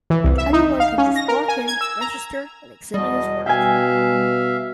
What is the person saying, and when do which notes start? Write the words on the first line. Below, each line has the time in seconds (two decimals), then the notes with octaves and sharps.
Anyone can just walk-in, register, and exhibit his work.
0.10 E3
0.24 C2
0.38 E5
0.53 D#4
0.80 F5
0.98 C#4
1.16 A#6
1.28 A#4
1.48 G#5
1.68 G#6
1.81 E6
2.01 A#5
2.94 E2 B2 G3 D#5
3.46 B2 E5 F5 G5 G#5